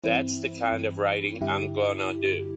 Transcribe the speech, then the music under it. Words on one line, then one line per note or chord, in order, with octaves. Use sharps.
That's the kind of writing I'm gonna do.
G2 E3 C4 E4
G2 E3
G2 D3 E4 G4